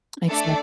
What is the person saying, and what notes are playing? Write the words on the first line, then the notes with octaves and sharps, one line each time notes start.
Makes sen
A3 D4 A4 D5